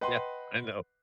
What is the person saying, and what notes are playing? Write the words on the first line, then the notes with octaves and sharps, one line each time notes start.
Yeah, I know.
B4 D#5 F#5 G5 C6